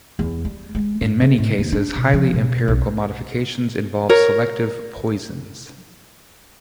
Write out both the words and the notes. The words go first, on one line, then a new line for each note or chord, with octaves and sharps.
In many cases, highly empirical modifications involve selective "poisons".
E2
G3
G#3
G2
C#3
A2
D#2
D4
B2
F3
B2
B1
A#4 C#5